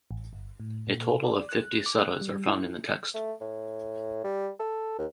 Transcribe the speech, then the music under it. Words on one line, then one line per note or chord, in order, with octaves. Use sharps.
A total of fifty suttas are found in the text.
A1
G1
A2
A#2
D5
F#6
D6
F#6
G3
E4
A3
A2
G3
A4
D#2